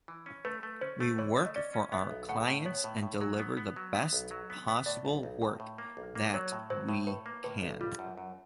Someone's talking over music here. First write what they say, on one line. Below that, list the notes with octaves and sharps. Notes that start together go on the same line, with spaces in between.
We work for our clients and deliver the best possible work that we can.
E3
C#4
A3 B4
A3
C#4 C5
A3
E3 C#5
A3
D#5
C#4 D5
C#4
B3 E5
B1
A2 F#5
A2
B3 C#5
A2
A2
F#3
B3
B3
F#3
B3
B1
F#3
B3
B3
A2 D5
B1
B1
A2
A2
A#3
B1
A#3
F#3 C#5
A2
F#3 C5
A2
A2 B4
A#3
A2 B4
B1
G3 F4
F#2
F#2